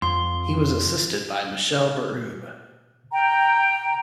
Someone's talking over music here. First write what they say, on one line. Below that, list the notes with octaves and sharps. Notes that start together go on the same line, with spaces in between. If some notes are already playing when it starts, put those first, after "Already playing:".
He was assisted by Michelle Berube.
F2 C6
G5 A#5